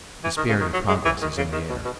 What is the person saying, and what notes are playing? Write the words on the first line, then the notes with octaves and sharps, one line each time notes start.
The spirit of progress is in the air.
E3
D#3
C#3
D#3
F#3
G#3
E3
D#3
C#3
D#3
B2
B2